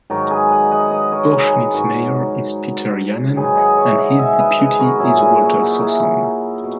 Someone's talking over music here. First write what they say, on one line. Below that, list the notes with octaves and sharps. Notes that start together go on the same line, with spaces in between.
Urschmitt's mayor is Peter Jahnen, and his deputy is Walter Sossong.
G#2 D#3 F#3 F#4 A#4
G#4 B4
D#5 F#5
D#5 F#5
B4 D#5
A#4 C#5
G#4 B4
G#4 B4
G#2 F#3 F#4 A#4
G#2 D#3 F#3 G#4 B4
D#5 F#5
C#5 E5
D#5 F#5
E5 G#5
B4 D#5
G#4 B4
F#4 A#4
A#2 F#3 E4 G#4
G#4 B4
F#4 A#4
D#4 F#4
E4 G#4
B2